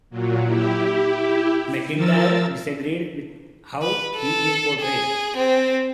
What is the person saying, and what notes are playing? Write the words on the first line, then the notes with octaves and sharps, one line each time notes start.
McIntyre disagreed with how he is portrayed.
A#2 F#3
E4 G4
F3 A#4 E6 A6
B4
A4
G#4
C4